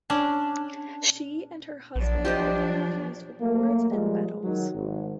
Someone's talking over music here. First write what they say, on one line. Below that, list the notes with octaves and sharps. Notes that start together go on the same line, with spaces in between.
She and her husband often refused awards and medals.
C#4 D4
A#1 F3 F#3 D4
F4 G4 C5 D#5
F#3 A3 A#3
F3 G3 G#3
D#3 F#3
G#1